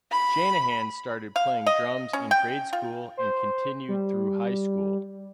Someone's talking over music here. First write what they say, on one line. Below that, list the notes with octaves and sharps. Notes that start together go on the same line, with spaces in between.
Shanahan started playing drums in grade school and continued through high school.
B5
F5
D#5
C#4
G5
F4
C5
G3